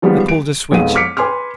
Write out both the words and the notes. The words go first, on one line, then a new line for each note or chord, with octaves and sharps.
I pulled a switch.
D#3 F3 G3 G#3 B3 G4
D7
B1 F2 G#3 B3 F5 D#7
D6 F6 B6 C#7 D7
B4 G#5 C6 D6 F6